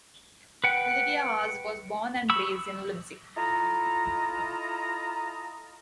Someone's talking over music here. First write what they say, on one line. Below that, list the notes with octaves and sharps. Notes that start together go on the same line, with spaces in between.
Lydia Haase was born and raised in Leipzig.
B4 F#5 G5
B5 C#6 E6
E4 F4 A4 D#5 A#5